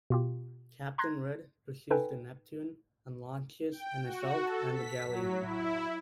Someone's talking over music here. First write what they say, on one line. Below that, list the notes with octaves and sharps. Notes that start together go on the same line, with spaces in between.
Captain Red pursues the "Neptune" and launches an assault on the galleon.
B2 F4 G4
A#5 C6 F#6 G#6 A#6
D#4 A4 B4 G5 G#5
G5
F#4
A4
B6
F#3
E4